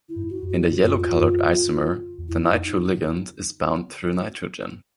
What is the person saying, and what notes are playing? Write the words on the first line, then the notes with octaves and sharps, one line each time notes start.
In the yellow-coloured isomer, the nitro ligand is bound through nitrogen.
E4
G2
F#4
F#2
F#4
G2 F4
F#2
F2
F#2
E2
F2 E4
D#4